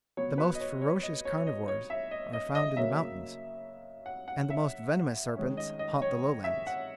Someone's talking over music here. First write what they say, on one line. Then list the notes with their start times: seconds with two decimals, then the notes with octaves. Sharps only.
The most ferocious carnivores are found in the mountains, and the most venomous serpents haunt the lowlands.
0.17 B2 F#3 B3 C#5
0.38 B4
0.55 D#5
0.60 C#5
0.82 C#5
1.03 D#5
1.25 C#5
1.38 C#5
1.47 D#5
1.68 C#5
1.90 E5
2.11 D#5
2.33 D#5
2.55 D#5
2.77 C#3 F#3 A#3 C#4 E5
4.06 F#5
4.28 F#5
4.50 E5
5.36 D#3 G#3 C#4
5.57 D#5
5.79 D#5
6.02 C#5
6.44 E5
6.67 F#5